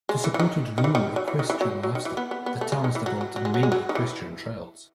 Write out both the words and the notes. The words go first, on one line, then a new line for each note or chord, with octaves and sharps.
To support its rural-equestrian lifestyle, the town has developed many equestrian trails.
G#3
E3
E3
D#3
D#3
E3
D#3
F#3
E3
D#3
E3
F#3
F#3
D#3
E3
B3
B3
B3
A3
G#3
D#3
E3
F#3
F#3
F#3
G#3
F#3
G#3
F#3
D#3
E3